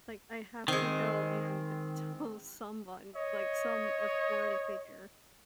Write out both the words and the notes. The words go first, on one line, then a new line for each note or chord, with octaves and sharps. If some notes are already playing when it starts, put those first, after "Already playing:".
like “I have to go and tell someone, like some authority figure
D#3 G#3 C4
C#5 D#5